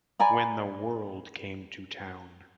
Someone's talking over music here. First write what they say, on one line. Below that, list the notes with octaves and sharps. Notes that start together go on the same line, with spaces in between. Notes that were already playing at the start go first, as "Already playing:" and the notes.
"When the World Came to Town".
D5 G#5 A#5 B5